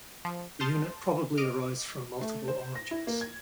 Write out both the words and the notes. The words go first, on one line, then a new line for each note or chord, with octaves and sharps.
The unit probably arose from multiple origins.
F3
A5 C6 D#6 F6 G6
D#5 D6 F6
A3
C5
A#6
E4
A#3
G#6